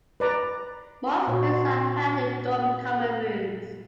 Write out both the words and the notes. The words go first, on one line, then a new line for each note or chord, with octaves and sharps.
Most plays are held in dorm common rooms.
B4 D5 A#5
A#2 F4 F#4 C5 C#5